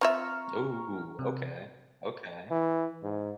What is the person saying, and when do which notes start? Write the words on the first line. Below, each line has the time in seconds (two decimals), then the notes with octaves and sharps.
Ooh, okay, okay.
0.01 C4 F4 E5 A#5 C#6 F6
1.19 C3
2.51 E3
3.03 G#2